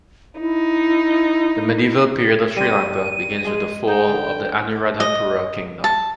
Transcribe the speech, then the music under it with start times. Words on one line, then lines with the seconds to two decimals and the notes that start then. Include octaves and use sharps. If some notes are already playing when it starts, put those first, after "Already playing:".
The medieval period of Sri Lanka begins with the fall of Anuradhapura Kingdom.
0.40 D#4 E4
2.57 G3 C5 D#7
3.45 G#3 G#4
3.87 D#4 G5
4.07 D3
5.00 D#5
5.84 A5